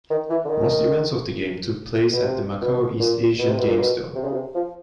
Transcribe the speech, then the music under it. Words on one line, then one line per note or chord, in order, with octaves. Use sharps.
Most events of the games took place at the Macao East Asian Games Dome.
D#3
E3
D3
D#3
B2
C3
B2
A#2
B2
C3
B2
A#2
B2
C3
C#3
C3
F3